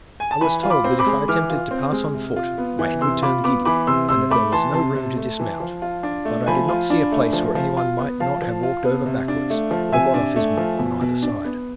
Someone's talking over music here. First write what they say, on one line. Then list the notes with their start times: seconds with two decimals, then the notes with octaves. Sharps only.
I was told that if I attempted to pass on foot, my head would turn giddy, and that there was no room to dismount; but I did not see a place where any one might not have walked over backwards, or got off his mule on either side.
0.20 G#5
0.31 A5
0.41 E3 G#5 B5
0.63 F4
0.70 B5 D6
0.84 C4
0.99 B5 D6
1.07 G#3
1.28 E3 D6 F6
1.50 F4
1.71 C4
1.93 G#3
2.14 C3
2.36 F4
2.58 B3
2.79 E3
3.01 C3 C6 E6
3.22 F4 B5 D6
3.44 B3 B5 D6
3.65 E3 B5 D6
3.87 C3 C6 E6
4.09 C3 C6 E6
4.30 A3 B5 D6
4.52 E3 A5 C6
4.74 C3 A5 C6
4.95 C3
5.17 A3
5.40 E3
5.60 F3
5.82 F4
6.03 D4
6.25 A3
6.46 F3 G#5 B5
6.68 F4
6.90 D4
7.12 A3
7.33 F3
7.55 F3
7.77 F4
7.99 B3
8.20 F3 F5 A5
8.42 F3
8.63 F4
8.84 B3
9.06 C3
9.28 D4
9.50 A3
9.71 F3
9.93 C3 E5 G#5
10.14 D4
10.36 A3
10.57 F3
10.79 B2
11.01 B2
11.23 D4
11.45 B3